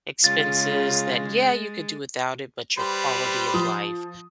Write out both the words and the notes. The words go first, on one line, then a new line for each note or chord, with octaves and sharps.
expenses that, yeah, you could do without it, but your quality of life
C#3 G#3 F4 A6
G3 B4 C5
F3 D#6